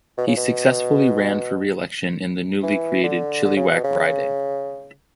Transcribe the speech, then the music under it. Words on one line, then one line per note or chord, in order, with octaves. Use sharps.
He successful ran for re-election in the newly created Chilliwack riding.
B2
C#3
B2
E3
D3
D3
C#3
B2
C#3